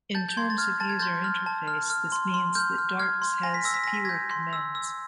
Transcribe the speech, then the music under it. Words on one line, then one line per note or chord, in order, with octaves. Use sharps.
In terms of user interface, this means that Darcs has fewer commands.
A5 G6 A6
G6
C6 G#6
A6
F6 G#6
A5 A6
G#6
C6 G6 A6
F6
A5
F6
F6
C6
C6
F6 G6
F6
F6 G#6
C6
G#5 A#6
B6
E6 A#6
B6
G#5 A#6
B6
G#6 A#6
G6
C6
E6
E6